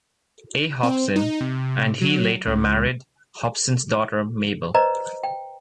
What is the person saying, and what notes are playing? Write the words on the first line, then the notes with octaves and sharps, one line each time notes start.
A. Hobson, and he later married Hobson's daughter Mabel.
C4
D#4
C3
F#3
C#2
B4 C5 D5 D#5 A#5
G5